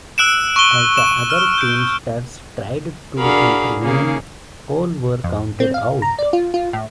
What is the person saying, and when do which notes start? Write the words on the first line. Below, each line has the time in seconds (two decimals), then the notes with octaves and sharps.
As the other Teamsters tried to intervene, all were counted out.
0.18 E6 F#6 D7 E7
0.56 C#6 G7
0.97 E7
1.30 F6
1.58 G6 D7
3.18 D4 F#4 G#4 A#4 F5 B5
3.81 C#3 A#3 G#4
5.24 F2
5.60 C4
5.74 F5
6.02 A#5
6.19 D5
6.33 F4
6.54 F4
6.73 A2